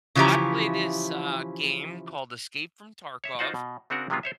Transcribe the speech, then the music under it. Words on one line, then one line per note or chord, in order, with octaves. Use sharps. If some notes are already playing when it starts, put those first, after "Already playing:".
I play this, uh, game called Escape from Tarkov.
C#3 E3 F3 E4 G4 A#5
C#5 E5
D#4 F4 F#4 C5 D#5 F#5
B2
C#3 C4 D4 F#4 A#4 F#5
C3 D#3 F#3 G#3 B3 F4
C5 C#5 E5